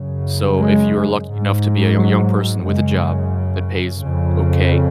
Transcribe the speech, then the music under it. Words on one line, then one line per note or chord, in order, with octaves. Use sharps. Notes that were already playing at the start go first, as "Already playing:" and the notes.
So, if you're lucky enough to be a yo young person with a job that pays okay,
Already playing: F#2 C#3
G#3
G#2
F#3
F#2 C#3 G#3
F2 C#3